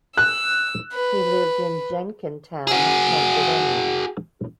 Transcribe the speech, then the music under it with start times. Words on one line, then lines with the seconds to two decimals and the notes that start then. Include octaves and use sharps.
He lived in Jenkintown, Pennsylvania.
0.17 E6 F#6
0.93 B4
2.68 F#4 G#4